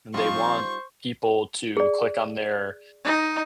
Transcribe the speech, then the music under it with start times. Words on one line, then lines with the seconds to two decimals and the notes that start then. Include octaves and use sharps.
they want people to click on their
0.14 F3 G3 C4 D#4 F4 C5 C#6
1.77 G#4 D5
3.05 D#4